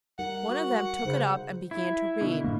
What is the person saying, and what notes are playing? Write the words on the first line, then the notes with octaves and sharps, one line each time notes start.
One of them took it up and began to read.
G3 D#4 A#4 F#5
F#4
C#3 G3 D#4 C5
E4
B2 D3
A2 A#3